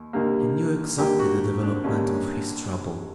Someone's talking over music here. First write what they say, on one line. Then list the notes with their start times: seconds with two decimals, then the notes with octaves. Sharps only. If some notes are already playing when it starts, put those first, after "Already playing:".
He knew exactly the development of his trouble.
Already playing: D#2
0.13 D#2 D3 G3 A#3
0.98 D#2 D3 G3 A#3 G4
1.19 F#4
1.63 D4
1.84 D#2 D3 G3 A#3 C#4